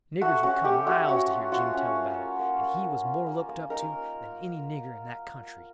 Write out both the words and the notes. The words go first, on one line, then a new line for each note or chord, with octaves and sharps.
Niggers would come miles to hear Jim tell about it, and he was more looked up to than any nigger in that country.
A3 F#4
C#4 F#4
A3 G4
A3 F#4
C#4 F#4
F4
F4 F#4
C#4
A#3
A#3
A#3
A#3
A#3
F4
A#3
A#3
D#4 A#4